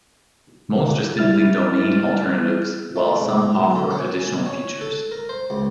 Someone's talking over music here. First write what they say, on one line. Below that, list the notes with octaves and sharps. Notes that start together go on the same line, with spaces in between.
Most are simply domain alternatives while some offer additional features.
G3 E4 F6 A6
A3
G#2
B1
D3
C#4
G#5
C#5
A4
A#4
C5
C#2